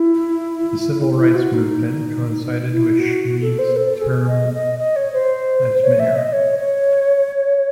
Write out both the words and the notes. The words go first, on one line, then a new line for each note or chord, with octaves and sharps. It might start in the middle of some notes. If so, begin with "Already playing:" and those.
The civil rights movement coincided with Schmied's term as mayor.
Already playing: E4
E4
F#4
D#4
E4
F#4
F#4
A4
C5
A4
G#4
D#5
D#5
D#5
C#5
C5
C#5
E5
D#5
C#5
C#5